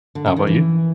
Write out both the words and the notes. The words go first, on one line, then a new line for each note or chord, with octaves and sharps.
How 'bout you?
D3
C#3
D#3
E3